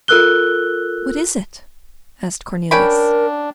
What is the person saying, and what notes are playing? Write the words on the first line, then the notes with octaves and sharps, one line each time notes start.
"What is it?" asked Cornelius.
F4 A4 A#4 E6 F#6 G7
C#4 D4 A#4 G5 B5